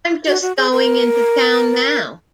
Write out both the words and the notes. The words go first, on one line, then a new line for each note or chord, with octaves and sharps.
I'm just going into town now.
F#4
F#4
G#4
A#4